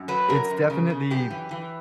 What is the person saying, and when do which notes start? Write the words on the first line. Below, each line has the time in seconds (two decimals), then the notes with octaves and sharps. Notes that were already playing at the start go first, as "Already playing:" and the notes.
it's definitely
Already playing: F#2
0.08 F#3 B4
0.29 F#2 A#4
0.50 F#2
0.70 C#3
0.90 C#3
1.11 F#2 G4
1.30 E3
1.51 E3